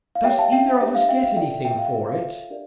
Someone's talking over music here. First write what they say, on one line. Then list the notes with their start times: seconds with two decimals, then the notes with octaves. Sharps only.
"Does either of us get anything for it?"
0.15 F5
0.24 G4 C#5 E5 G5
0.38 F5 A5
0.52 E5 G5
0.81 D4 G4 C#5 E5
0.95 F5
1.09 E5 G5
1.23 F5
1.36 F4 A4 D5 E5 G5
1.65 E5 G5
1.79 F5
1.94 F4 A4 C#5 E5
2.08 F5
2.50 D4 G4 A#4 D5